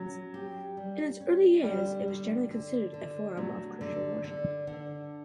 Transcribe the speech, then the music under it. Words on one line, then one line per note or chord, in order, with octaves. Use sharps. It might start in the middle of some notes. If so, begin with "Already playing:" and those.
In its early years it was generally considered a forum of Christian worship.
Already playing: F#3 C#4
G4
G3
C#4
D3 G3
D3
D3
D3
F#3 A3
D3
D3
D3